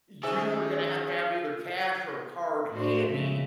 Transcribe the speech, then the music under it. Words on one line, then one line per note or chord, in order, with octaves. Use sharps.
you were gonna have to have either cash or a card handy
D#3 C#4 G#4 C5 E5 G#5 E6
A2 D4 F#4 C5
C#3 F3 G#3 E5